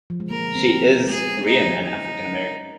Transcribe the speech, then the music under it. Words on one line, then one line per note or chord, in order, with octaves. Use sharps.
She is Korean and African-American.
F3
G#3
A#3 A#4
C4
G#3 G#4
D#4
D#4